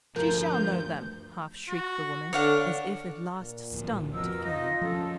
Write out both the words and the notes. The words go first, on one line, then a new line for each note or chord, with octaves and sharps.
"She shall know them!" half shrieked the woman, as if at last stung to fury.
D2 G2 F3 A#4 G6
F#4
D3 D4 C#5 F5 F#5
A#2
D1 A#1
F2 B2 F3 A#4 E6
D#4 F4 D#5
F3 C#4 A4